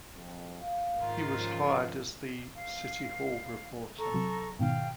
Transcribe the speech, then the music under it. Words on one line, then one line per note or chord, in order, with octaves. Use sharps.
He was hired as the "City Hall" reporter.
F2
F5
G#2 D#3 F4
C#3 F3
F5
A4 A#5 C#6
C3 F#3
G#2 B2 D#3 F5 G5